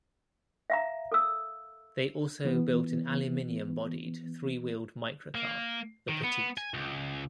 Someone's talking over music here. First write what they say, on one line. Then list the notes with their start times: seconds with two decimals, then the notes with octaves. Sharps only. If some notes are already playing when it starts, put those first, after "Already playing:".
They also built an aluminum-bodied three-wheeled microcar, the Petite.
0.70 E5 F5 A#5
1.12 A4 E6
2.45 E3 B3
5.35 A#3
6.08 D#3
6.24 B3
6.58 G#5
6.74 C#2